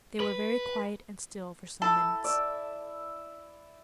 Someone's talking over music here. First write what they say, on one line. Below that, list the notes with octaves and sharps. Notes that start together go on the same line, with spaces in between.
They were very quiet and still for some minutes.
B4
E4 A4
D5 E5